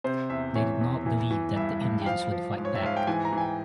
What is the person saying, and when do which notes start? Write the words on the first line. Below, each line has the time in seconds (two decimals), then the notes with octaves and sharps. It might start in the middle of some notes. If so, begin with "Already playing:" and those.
They did not believe that the Indians would fight back.
0.04 C3 C5
0.30 E2 E5
0.55 E3 C#5
0.81 E2
1.06 E3
1.31 E3
1.56 G2 E5
1.81 G2
2.02 G5
2.06 F3 F5
2.32 F3
2.58 G#2
2.65 C#5
2.76 E5
2.83 G#2 F5
2.97 G5
3.07 E3 G#5
3.25 A#5
3.33 E3 G#5
3.41 G5